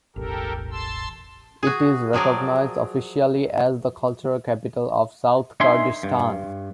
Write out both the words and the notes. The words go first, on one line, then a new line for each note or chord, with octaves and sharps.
It is recognized officially as the cultural capital of South Kurdistan.
E1 A1 G4 A4 A#4
A5 C6 E6
F#4 G#4
F3 F#3 G#4 A#4 D5
D4 D#4 A#4 E5 G#5 C6
G2